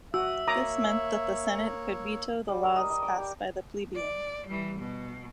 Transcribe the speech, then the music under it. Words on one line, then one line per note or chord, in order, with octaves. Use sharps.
This meant that the senate could veto the laws passed by the plebeians.
F#4 E5 D#6 E6
A#3 C#5 A#5 D6 D#6
G3
A#4
D#5
D#5
D6
G4
D5
E3 G3
B2